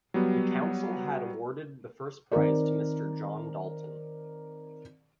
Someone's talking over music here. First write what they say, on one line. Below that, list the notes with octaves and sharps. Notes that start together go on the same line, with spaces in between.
The Council had awarded the first prize to Mr. John Dalton.
F#3 G3 B3
D#3 C4 A#4 D5